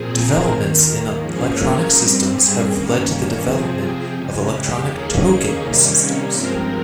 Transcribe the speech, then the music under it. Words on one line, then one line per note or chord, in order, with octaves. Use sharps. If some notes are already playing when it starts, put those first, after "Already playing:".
Developments in electronic systems have led to the development of electronic token systems.
Already playing: A#2 F3 C4 G#4
A#4
D#2 D#3 A#3
G#2 F3 A#3 C#4 G#4
A#4
G2 G3 C4
G#4
G2 D#3 A#3 C#4
C3 F3 C4 G#4
G#4
F2 C#3 G#3
G4
D#2 D#3 A#3 C#4 G#4
C3 D#3 G3 A#3 C#4
G2 F3 G#3 C4 A#4